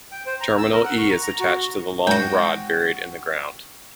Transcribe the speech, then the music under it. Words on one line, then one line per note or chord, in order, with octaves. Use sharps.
Terminal E is attached to a long rod buried in the ground.
G5
C5
A#5
E6
A#4
F#5
C#6
A#5
A#5
F#4
G#2 F#4 G5